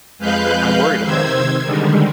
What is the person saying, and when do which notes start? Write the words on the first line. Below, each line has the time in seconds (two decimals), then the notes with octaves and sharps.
I’m worried about him.
0.18 F2 G#3 B4 F5 F#6 G6
1.02 C3 D#3 C5 E6 G#6
1.64 D3 D#3 G3 G#3